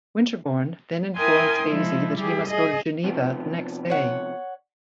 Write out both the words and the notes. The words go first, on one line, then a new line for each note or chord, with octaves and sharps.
Winterbourne then informs Daisy that he must go to Geneva the next day.
E4 A#4 G5 G#5 C6 D#6
F3 G#3 D#4 E4
G3 E4 G4 G#4
G#4 D#5
C3 F3 B3
C#5 F#5